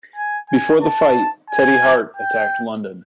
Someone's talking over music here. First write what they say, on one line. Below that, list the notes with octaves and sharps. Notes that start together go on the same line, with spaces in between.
Before the fight, Teddy Hart attacked London.
G#5
G#5
A5
G#5
G5